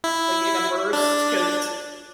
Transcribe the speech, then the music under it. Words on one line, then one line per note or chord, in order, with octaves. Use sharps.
like in a burst, 'cause
E4
D4